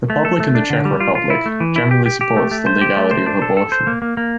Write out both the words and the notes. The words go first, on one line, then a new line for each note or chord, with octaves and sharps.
The public in the Czech Republic generally supports the legality of abortion.
A3
A4
A3
D4
D3
G3
F4
F4
E4
A3
E3
E4
G4
G4
G4
A3
A3
C5
G4
A3
C5
D4
A4
A4
C5
A#3
A#3
A#3